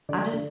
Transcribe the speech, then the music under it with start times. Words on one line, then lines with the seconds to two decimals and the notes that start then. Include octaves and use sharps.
I just
0.09 D3 D5
0.33 D3